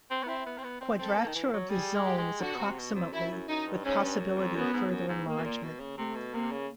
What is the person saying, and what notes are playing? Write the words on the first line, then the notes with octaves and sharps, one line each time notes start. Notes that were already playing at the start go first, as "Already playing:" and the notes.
Quadrature of the zone is approximately with possibility of further enlargement.
C4
B3
C4 E4
B3
C4
B3
C4
C4 A4
A#3
D#3
E3
F#3
G3 G#4
G#3
G4
G#3
D3 F#4
B2
C3
B2
F2
F#2 E4
F#2
F#2 D#4
G2
G#2 C#4
G2
F#2
F2
F#2 B3
G#2
F#2
G#2
A#3
B2
A#2
B2
C#3
C3 A3
B2
C3 A#3
C#3